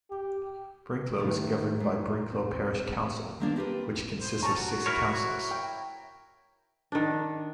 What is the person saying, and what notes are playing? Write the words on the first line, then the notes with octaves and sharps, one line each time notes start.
Brinklow is governed by Brinklow Parish Council, which consists of six councillors.
G4
A2 D#3
G#2
C4
D#3 G3 A#3 B3 D4 F4
C4 G4 A#4 B4
C5
C#4 A5 A#5 C#6
F#4
E4 A#4 C#5
G5
D#3 D4